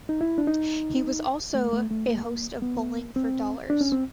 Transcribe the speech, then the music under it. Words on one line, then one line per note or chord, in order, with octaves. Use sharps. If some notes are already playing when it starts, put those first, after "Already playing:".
He was also a host of "Bowling for Dollars".
D#4
E4
D4
D#4
A3
A3
A3
A#3
B3
C4
D4
C#4
C4